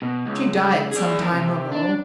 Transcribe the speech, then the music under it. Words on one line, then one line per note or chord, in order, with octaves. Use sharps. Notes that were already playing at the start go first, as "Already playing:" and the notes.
She died some time ago.
B2
C#2
G#4 D5
E2 A#4
C3
D4